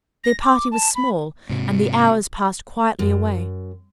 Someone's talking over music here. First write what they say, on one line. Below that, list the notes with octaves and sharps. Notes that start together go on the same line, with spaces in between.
Their party was small, and the hours passed quietly away.
A#6
D6
A5
B5
G#2 C3
F#2